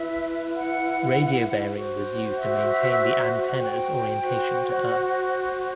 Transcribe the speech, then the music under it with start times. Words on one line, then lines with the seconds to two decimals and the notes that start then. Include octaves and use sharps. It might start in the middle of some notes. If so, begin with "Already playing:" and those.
Radio bearing was used to maintain the antennas' orientation to Earth.
Already playing: E4 B4 E5
0.54 F#5
1.76 F#4 C5
2.37 E5
3.58 G5
4.19 F#4 C5